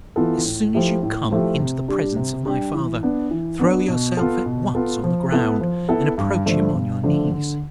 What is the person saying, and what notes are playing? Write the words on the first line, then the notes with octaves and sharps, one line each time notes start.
As soon as you come into the presence of my father, throw yourself at once on the ground and approach him on your knees.
E3 B3 F4 A4
A2
F3 A3 E4 G4
A2
F3 A3 E4 G4
C3
G3 D4 G4
C3
G3 D4 G4
E3
B3 D4
E3
B3 D4
B2
B3 F4 A4
B2
B3 F4 A4
F3
B3 E4 A4
F3
B3 E4 A4
G2
D3 F3 A3 D4
G2
D3 F3 A3 D4
D3